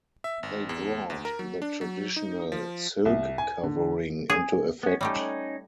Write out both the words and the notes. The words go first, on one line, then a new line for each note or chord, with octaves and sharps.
They brought the traditional silk covering into effect.
E5
G#1
E2
D2
A#4
F#3
D4
F#3
D#4
F3
C2
G#5
D3
G#4
B3 C#4
G3 A3 C#4 D#4 G4